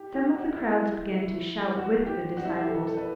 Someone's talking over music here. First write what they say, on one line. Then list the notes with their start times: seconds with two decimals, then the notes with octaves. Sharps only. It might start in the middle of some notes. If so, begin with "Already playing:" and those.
Some of the crowds began to shout with the disciples.
Already playing: G4
0.14 G4
0.35 F#4
0.54 E4
1.15 E4
1.76 F#4
2.06 G4
2.37 F#4
2.45 E4
2.52 F#4
2.60 G4
2.67 A4
2.87 A4
2.97 B4